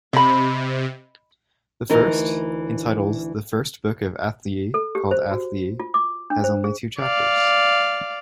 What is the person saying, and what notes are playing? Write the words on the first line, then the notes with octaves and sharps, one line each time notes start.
The first, entitled "The First Book of Athlyi Called Athlyi", has only two chapters.
C3 D#5 B5
D2 E3 D#4 A#4
A4
G4
C5
F#4
F4
D6
D4
C5
G#4
D5 F5